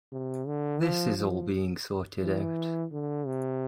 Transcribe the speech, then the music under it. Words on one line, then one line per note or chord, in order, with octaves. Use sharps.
This is all being sorted out.
C3
D3
F3
F3
E3
D3
C3